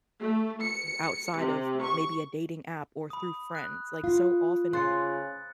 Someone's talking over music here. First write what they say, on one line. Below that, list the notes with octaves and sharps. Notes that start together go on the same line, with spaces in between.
m outside of maybe a dating app or through friends, like, so often
A3
C#7
C3
C#6
B5 D#6
F#6
F4
C#3 C5 F#6 A6 C#7